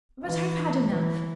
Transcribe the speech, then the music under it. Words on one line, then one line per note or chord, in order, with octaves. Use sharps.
But I've had enough.
E3
E3